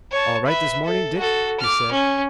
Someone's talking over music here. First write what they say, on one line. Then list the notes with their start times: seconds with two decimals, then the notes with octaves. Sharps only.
"All right this morning, Dick?" he said.
0.12 C#5 A5
0.46 B4 E5
0.84 A4
1.18 F#4 A4
1.60 D6 F6
1.92 C#4